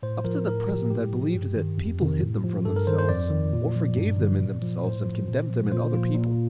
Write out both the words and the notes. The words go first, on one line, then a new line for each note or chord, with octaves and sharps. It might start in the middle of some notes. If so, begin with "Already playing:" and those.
Up to the present I believed that people hid them from themselves or forgave them in themselves and condemned them in other people.
A2 C5
F3 A#4
A2 A#4
F3 G4
A2 G4
F3
G2
D#3
F2
C3 D#3
A2
F3
G2 A4
A#4
D#3 C5
C5
F2 D5
D#3
A#2
F3
G2
D3 F3
A#2
F3
A2 C5
F3
A#2
F3
A#2 C5
F3 F4
A#2